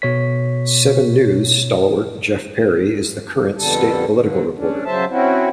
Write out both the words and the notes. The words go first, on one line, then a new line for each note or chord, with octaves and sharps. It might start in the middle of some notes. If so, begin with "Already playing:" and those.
"Seven News" stalwart Geof Parry is the current state political reporter.
B2 C#5 B6
F2 B2 D3 G3 A4
G2 D3
C#4 D4
C#3 F#3 C5 E5 A5
C4 C#4 E4 F#4